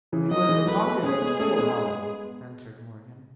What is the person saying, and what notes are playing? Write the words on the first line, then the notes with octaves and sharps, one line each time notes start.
"We was a-talkin' of keel-hauling," answered Morgan.
C#3 E3
D#3 F#3 D#5
E3 G#3
F#3 A3 B4
G#3 B3
A3 C#4 G#4
G#3 B3
A3 C#4
G#3 B3